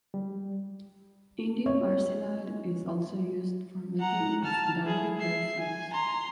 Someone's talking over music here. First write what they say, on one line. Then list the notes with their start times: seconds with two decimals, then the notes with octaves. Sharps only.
Indium arsenide is also used for making of diode lasers.
0.14 G3
1.66 C#5
4.00 F#5 A#5
4.44 A5 F6
4.83 E4 G#4
5.17 E5 C7
5.59 G#5
5.92 A#5 C6